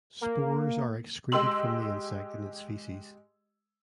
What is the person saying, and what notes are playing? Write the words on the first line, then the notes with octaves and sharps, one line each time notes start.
Spores are excreted from the insect in its feces.
A#3
G#3 G4 D#5 C6 E6 F#7